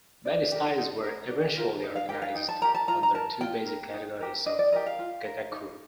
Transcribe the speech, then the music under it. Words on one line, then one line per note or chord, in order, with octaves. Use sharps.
Many styles were eventually organized under two basic categories of gagaku.
D4 D5
G4 A#4
D#4
A#4
D4
F4 A#4
D#4
F5
G4 A#4 G5
F5
D#4 G5
A5
G4 A#4 A#5
A5
F4 A#5
A#5
A#4 A5
F4 G5
A#4
D#4
G4 A#4
D4 D#5
D5
G4 A#4 D#5
F5
F4
A#4
D#4